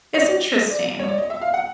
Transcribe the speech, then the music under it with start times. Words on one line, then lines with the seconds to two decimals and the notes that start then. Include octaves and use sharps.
it's interesting.
0.14 C#5
0.21 D5
0.70 D5
0.99 C#5
1.08 D5
1.18 D#5
1.30 E5
1.42 F5
1.54 F#5